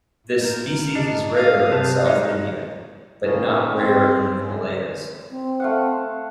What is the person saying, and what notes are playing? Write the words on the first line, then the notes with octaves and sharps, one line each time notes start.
This species is rare in South India but not rare in the Himalayas.
A#4 G6
D4 D#5
B4 F5 D#6
C3 G4 F5 A5 F#6 G6
G#3 D#4
A2 C3 A#3 C#4 D#4 F4
C4
C#3 G#3
C4
A3 F5 F#5